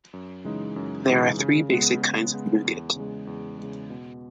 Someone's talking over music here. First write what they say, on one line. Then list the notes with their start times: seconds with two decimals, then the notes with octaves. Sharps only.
There are three basic kinds of nougat.
0.13 F#2
0.44 C#3 E3 G#3 D#4
0.76 F#2
1.07 C#3 E3 G#3 D#4
1.39 C#3
1.70 G#3 B3
2.02 C#3
2.33 G#3 B3
2.65 E2
2.96 C#3 G#3
3.27 E2
3.58 C#3 G#3
3.90 B2